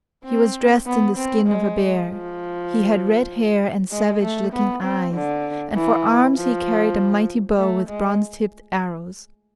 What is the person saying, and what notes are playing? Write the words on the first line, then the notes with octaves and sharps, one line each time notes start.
He was dressed in the skin of a bear; he had red hair and savage-looking eyes, and for arms he carried a mighty bow with bronze-tipped arrows.
C4
B3
C4
G#3
F3
G#3
A3
B3
C4
D3
E3
F3
A3
G#3